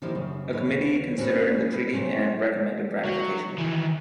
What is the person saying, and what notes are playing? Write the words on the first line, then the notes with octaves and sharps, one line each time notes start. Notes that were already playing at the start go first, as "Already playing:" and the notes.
A committee considered the treaty and recommended ratification.
D#3 F3 A#3 E4 G4
F#2 C#3
D#2 B4 C#5
C4 C#4 D#4 F#4 B4
B4
F#3 A3 C4 C#4
F#3
D#3 E3